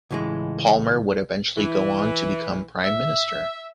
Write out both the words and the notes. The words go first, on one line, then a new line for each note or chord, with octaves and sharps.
Palmer would eventually go on to become Prime Minister.
C#2 A2 E3 G3 G#3
E3
E5